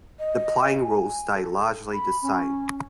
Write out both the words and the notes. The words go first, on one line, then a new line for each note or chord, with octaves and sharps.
The playing rules stay largely the same.
D#5
G#5
A4
B5
C#4